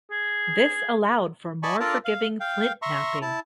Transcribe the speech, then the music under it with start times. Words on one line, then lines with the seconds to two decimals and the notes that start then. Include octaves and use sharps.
This allowed for more forgiving flint knapping.
0.11 G#4
1.63 D5 D#5 G#5 A5 B5 C#6
1.80 D4 F4 A4 A#4 D5 A5
2.05 F5
2.40 F5 G5
2.82 E5 A#5 C6 C#6
3.22 E4 A5